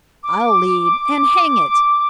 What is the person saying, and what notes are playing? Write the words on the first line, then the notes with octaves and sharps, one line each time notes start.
I'll lead, and, hang it!
D6